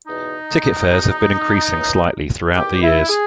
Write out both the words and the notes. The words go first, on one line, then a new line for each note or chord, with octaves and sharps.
Ticket fares have been increasing slightly throughout the years.
E2 B2 D#4
E2 B2
C#2 C#3 E3
E2 D#3 G4
E4
G#4